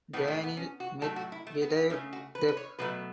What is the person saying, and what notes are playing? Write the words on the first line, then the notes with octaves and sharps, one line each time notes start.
Daniil Medvedev def.
A2 E3 A3 B3
A3
B3
C#4
F#4
A2 F#3 A3 A4
F#4
E4
A3
B3
B3
C#3 A3 C#4
F#4
B4
B4
C#5
B2 F#3 A3 B4